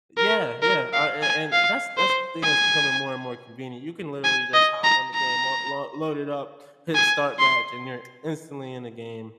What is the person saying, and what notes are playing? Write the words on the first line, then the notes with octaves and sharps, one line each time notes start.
yeah, yeah, uh, and and that's that's the thing that's becoming more and more convenient. You can literally just hop on the game, l load it up, hit start match, and you're instantly in the game,
A#4
A#4
F5
G#5
F5
C5
G#5
G#5
D#5
A#5
A#5
G#5
C6